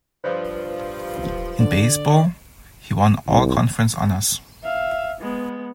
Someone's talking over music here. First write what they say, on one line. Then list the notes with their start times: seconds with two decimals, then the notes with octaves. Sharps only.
In baseball, he won All-Conference honors.
0.24 G2 F3 B4 C5 D5
1.60 D3 D5
3.28 C2
4.63 E5 F5
5.21 G#3 B3